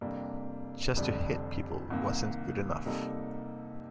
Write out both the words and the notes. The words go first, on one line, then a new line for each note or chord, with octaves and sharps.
Just to hit people wasn't good enough.
F2 C3 G3 A#3 D4
F1 F2 D3 G3 D4
C2 C3 D#3 A#3
C3 G3 A#3 D#4 A4